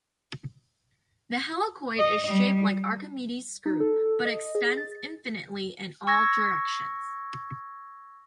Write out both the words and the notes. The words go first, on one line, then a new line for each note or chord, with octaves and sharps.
The helicoid is shaped like Archimedes screw, but extends infinitely in all directions.
D#5
G3
D#4
A4
D#5
G#4
A6
C#6 E6 G#6 A#6